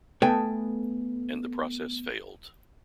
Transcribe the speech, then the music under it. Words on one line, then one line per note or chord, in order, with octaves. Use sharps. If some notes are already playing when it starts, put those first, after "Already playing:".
And the process failed.
A3 B3 A4 G5 G#5